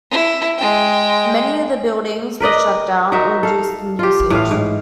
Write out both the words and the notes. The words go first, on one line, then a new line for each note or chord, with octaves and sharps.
Many of the buildings were shut down or reduced in usage.
E4
G#3 G5
A#4 B4 D5 D#5
D#4 F#4 A#4 E5
A4 F5
F4 G4
A2 E3 F5
G#2